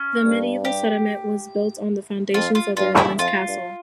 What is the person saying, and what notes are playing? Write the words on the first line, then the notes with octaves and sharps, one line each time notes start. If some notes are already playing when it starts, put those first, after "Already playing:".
The medieval settlement was built on the foundations of the Roman castle.
Already playing: C#4
G2
G4
F2 F4
F4
G2 F4
E4
F2 F4
G2